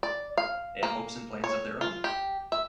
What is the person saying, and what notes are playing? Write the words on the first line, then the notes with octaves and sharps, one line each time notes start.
They have hopes and plans of their own.
D5
F5
A#3
C#5
F4
G4
E5